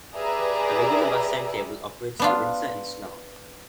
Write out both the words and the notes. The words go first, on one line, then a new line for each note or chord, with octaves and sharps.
A regular bus timetable operates to Windsor and Slough.
G4 G#4 B4 D5 E5 A#5
B3 D4 F4